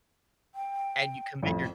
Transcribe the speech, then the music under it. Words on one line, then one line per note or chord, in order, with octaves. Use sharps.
and you commit your
G5
A1 F2